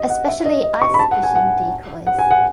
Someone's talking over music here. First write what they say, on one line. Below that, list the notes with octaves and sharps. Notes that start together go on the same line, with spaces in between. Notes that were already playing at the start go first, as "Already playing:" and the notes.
Especially ice fishing decoys.
Already playing: D#5
F#5
E5
D#5
D#5
C#6
B5
A5
F#5
G#5
F#5
F#5
G#5
F#5